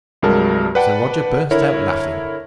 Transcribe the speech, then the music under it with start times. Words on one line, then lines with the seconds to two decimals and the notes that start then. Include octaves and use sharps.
So Roger burst out laughing.
0.22 C2 G2 F#3 G#3 A#4 A5
0.75 B4 D5 F#5 G5 A5
1.51 D3 E4 A#4 C#5